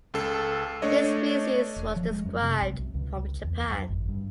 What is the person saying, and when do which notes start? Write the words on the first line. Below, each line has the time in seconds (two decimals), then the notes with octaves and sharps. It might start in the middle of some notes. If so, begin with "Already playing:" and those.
This species was described from Japan.
0.14 C#2 A4 C7
0.82 A3 D4 C#5 D#5
1.76 E1
1.96 F3
2.11 G#3
2.25 F#2
2.42 C3
2.61 A#1
2.79 B1
2.94 C#2
3.44 E2
3.70 F#2
3.89 G#1
4.09 G2